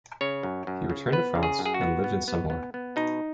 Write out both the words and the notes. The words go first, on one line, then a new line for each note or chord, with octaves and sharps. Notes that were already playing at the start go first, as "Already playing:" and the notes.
He returned to France, and lived at Saumur.
C#3 C#5
F#2
F#2
C#3
B3 B4
C#3
G#4
F#2
G#4
F#4
B3
B3
B3
B3
B3
B2 D#4